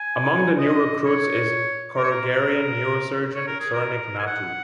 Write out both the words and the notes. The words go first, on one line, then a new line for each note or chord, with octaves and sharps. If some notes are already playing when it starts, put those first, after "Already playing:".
Among the new recruits is Korugarian neurosurgeon Soranik Natu.
Already playing: G#5
D#5
C#5
A#4
C#5
A#4
C#5
A#4
G#4
A#4
G#5
F#5